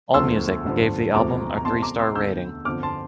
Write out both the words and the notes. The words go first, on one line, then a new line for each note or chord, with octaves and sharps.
AllMusic gave the album a three star rating.
E1 D2 D3 F3 C6 E6
A1 G2 D3 F3
E1 D2 C3 F3 A#5 D6
A#5
E1 E2 C3 A5 C6
A#5 D6
C6 E6
E1 D2 D3 E6 G6
G1 F2 D3 F3 D6 F6
A5 C6